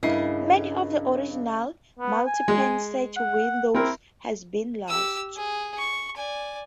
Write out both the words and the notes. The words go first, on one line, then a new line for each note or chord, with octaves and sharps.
Many of the original multi-pane sash windows have been lost.
G2 C#3 E4 A#4 D#5 C7
B3
G#5
G#3
F#5
C4 E4 A#4
G4 E6
G#4
C#6
D5 G#5